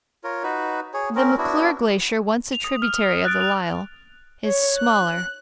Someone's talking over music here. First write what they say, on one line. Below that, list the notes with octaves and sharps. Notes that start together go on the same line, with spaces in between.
The McClure Glacier, once a tributary of the Lyell, is smaller.
F4 A#4 C#5
D#4 F#4 B4
G#4 C#5
C4 C#4 A#4
B3 D4 E4 F#4
F7
D#6
F6
D#6
F#6 A6 D7
F7
C#5
F#6